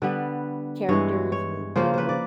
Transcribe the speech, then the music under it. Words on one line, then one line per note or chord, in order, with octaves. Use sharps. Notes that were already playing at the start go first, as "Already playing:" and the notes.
characters and put little
D3 G3 B3 B4
G2 E3 G#3 C#5
C#5
C#3 F3 A#3 C5
B4 C5
D5